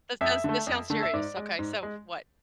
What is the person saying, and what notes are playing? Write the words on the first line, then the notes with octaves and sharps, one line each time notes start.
That sounds that sounds serious. Okay. So what?
F2 E5
D3 A3
F2
D3 A3
E5
G#2 D5
G#3
G#2
G#3